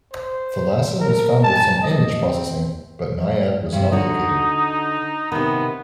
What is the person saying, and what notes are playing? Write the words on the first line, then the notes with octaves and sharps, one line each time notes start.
Thalassa was found with some image processing, but Naiad was not located.
C5
A#4
A5
D#5
C4
G2 C3
D3 D#4 F#4
C3 D#3 B3